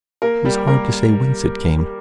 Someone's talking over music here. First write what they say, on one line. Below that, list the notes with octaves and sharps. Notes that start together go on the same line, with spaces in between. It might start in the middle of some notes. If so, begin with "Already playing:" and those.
"It was hard to say whence it came."
A#3 A#4
G3 G4
A#3 A#4